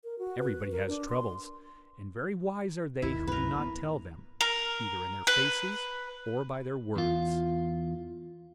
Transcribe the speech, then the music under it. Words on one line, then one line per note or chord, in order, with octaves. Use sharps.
Everybody has troubles; and very wise are they who do not tell them, either in their faces or by their words.
A#4
F#4
B4
A#4
D4
C6
G#1 D#2 E4
C2 F#2 A2 A#4 B4
A1 B3
A#4
B4
E2 F4